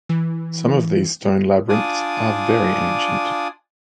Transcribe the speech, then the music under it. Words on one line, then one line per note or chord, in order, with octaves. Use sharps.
Some of these stone labyrinths are very ancient.
E3
D4 F4 D5 G#5 D#6